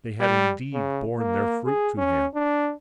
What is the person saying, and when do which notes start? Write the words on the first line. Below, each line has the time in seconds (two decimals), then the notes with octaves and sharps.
They had indeed borne their fruit to him.
0.20 G3
0.74 C#3
1.19 A#3
1.66 G#4
1.98 C#4
2.35 D4